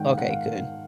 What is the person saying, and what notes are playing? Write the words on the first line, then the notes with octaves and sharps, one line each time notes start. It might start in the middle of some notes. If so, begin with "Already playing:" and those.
Okay, good.
Already playing: G#2 D#3 G#3 F#5 G5
F5
G#2 F#5
F5